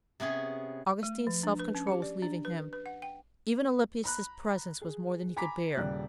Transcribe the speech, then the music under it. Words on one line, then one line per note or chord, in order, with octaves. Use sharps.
Augustine's self-control was leaving him; even Alypius' presence was more than he could bear.
C3 B3 C#4 G#4
A3
F3
D4
B4
C#4
G4
D5
D4
B4
B4
F#5
G5
A#5 B5 F#6
G#4
G#5 A#5 B5 D6 B6
D#1 C#3 G3 G4 F#6